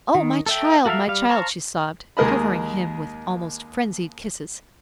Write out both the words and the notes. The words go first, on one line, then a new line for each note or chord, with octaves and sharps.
"Oh! my child! my child!" she sobbed, covering him with almost frenzied kisses.
D#3
A4 E5 G5
F#4 A4 A#4 E5 F5
G3 F5
C5 F5 A5 A#5 C#6
D#2 G#3 A#4 D#5 B5